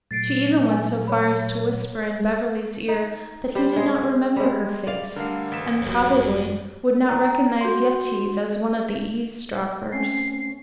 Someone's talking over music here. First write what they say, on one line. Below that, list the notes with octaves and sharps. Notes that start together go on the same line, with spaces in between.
She even went so far as to whisper in Beverly's ear that he did not remember her face, and probably would not recognize Yetive as one of the eavesdroppers.
A#2 F#3 A3 A6 C7 D7
B4 G#5
C#5 B5
D#4
G3 C5
G#3 G#4
G3 G#3
D5 F5
D3 G3 A3 A#4 F5
A1 B6 E7
G#1 F#2 F#4 G4 C#5
A#5
F#4 C6
A3 C4 C#4 C7